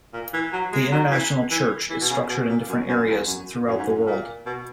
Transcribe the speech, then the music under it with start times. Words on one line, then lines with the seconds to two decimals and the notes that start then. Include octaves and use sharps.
The international church is structured in different areas throughout the world.
0.13 A#2
0.33 E3
0.53 F#3
0.72 G#3
0.92 F#3
1.11 E3
1.51 E3
1.90 E3
2.01 B2
2.10 C#3
2.29 B2
2.49 A#2
2.69 F#2
2.89 F#2
3.08 E2
3.27 F#2
3.67 F#2
3.78 G#2
3.88 F#2
4.07 A#2
4.46 B2